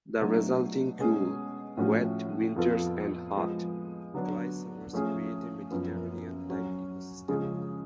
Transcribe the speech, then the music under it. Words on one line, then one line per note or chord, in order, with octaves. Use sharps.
The resulting cool, wet winters and hot, dry summers create a Mediterranean-type ecosystem.
B2 F#3 A3 D4
B2 G#3 C#4 G#4
A2 F3 A3 C#4 F#4
F2 F3 B3 F4 A4
F3 G#3 B3
D3 F#3 B3 D4
F3 A3 C#4 G#4
F#2 F3 B3
F#3 C#4 F#4
C#3 F3 G#3 C#4 G#4